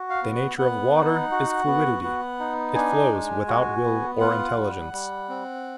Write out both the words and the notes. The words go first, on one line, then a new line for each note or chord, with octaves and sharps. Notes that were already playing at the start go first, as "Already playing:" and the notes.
The nature of water is fluidity; it flows without will or intelligence.
Already playing: F#4
F5
B3
F#5
B3 F#5
D#4
F#4
B3
B3
D#4
D4 G#5
G#3
F#4
B3
F4 F#5
G3
G3
C4